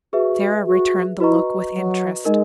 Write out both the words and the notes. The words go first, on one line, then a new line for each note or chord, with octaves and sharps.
Sara returned the look with interest.
F#4 G#4 B4 E5
F#4
E4 F#4 B4 D#5 A#5 C#6
F#3
G#3 D#4 A#4 D#5